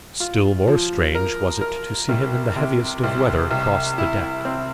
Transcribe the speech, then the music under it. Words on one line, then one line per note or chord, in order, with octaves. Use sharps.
Still more strange was it to see him in the heaviest of weather cross the deck.
F4
F3
A#4
A#4
C2
C3
C2
C2
E4
C4